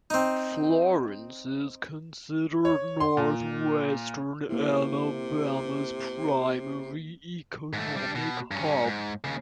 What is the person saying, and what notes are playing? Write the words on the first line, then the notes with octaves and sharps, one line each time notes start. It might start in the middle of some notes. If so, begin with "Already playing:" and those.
Florence is considered northwestern Alabama's primary economic hub.
C4 D#4
C#5
C6
A#2
C3 A#3 E4
G#2 A3
G3 D4
B2
G2 C#4
G#2
D#2 C#3